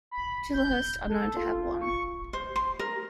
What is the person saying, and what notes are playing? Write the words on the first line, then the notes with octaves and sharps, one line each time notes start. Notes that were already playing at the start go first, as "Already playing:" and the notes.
Chislehurst are known to have won.
B5
G6
A4
F4
C#6
C5
C6
A#4